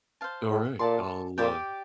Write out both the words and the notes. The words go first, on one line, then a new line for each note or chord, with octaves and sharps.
Alright, I'll, uh
C5 F5 A5
A2
A#2 A4 D5 A5 C6
A#2 G4 D5 G5